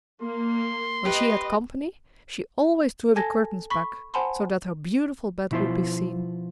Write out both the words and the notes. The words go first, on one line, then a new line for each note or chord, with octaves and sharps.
When she had company, she always drew the curtains back so that her beautiful bed would be seen.
A#3 C6
G4 B4 D#5
A4 G#5 A5 G#6 A#6
B5 C#6 B6
C5 F#5 G#5 A5 B5 C6
B2 F3 E4 F4 C5